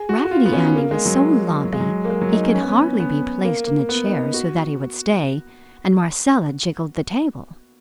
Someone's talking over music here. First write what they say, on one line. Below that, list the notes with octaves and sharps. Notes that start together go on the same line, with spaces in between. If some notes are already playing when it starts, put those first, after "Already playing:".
Raggedy Andy was so loppy he could hardly be placed in a chair so that he would stay, and Marcella jiggled the table.
Already playing: G#4
F#4
F#4
F4
B3
C#4
A#3
G#3
F#3
F#3
G#3
F#3
A#3
G#3
F#3
D#4
C#4
C#4
B3
C#4
B3
A#3
A#3
B3
D#4
F#4